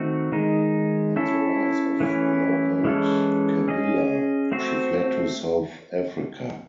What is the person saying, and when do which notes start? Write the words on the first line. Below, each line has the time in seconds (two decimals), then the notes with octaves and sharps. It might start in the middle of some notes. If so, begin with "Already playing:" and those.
On the rise of Laurent Kabila, she fled to South Africa.
Already playing: D#3 A3 C4 F#4
0.32 D#3 G#3 D#4
1.16 C#4 E4 A4
2.00 E3 A3 C#4 E4
2.84 E3 G#3 C#4 E4 A4
3.68 C#4 G#4 D#5
4.52 A3 C4 F#4 C5